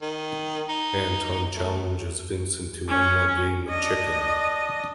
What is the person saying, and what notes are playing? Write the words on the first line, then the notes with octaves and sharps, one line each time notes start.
Anton challenges Vincent to one more game of chicken.
D#3
D#4
A3
C#4
D4 D#5